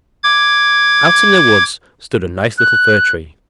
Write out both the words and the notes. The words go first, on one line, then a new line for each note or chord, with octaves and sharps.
Out in the woods stood a nice little Fir Tree.
D6 G#6
F#6